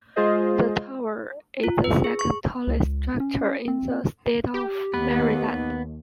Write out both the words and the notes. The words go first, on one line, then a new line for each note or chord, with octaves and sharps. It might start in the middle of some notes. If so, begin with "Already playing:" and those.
The tower is the second tallest structure in the state of Maryland.
G#3 F4 G#4 C5 D#5
F4
B4
G#4
C#6
C#2
C#4
C4
G4
D#2 B3 B4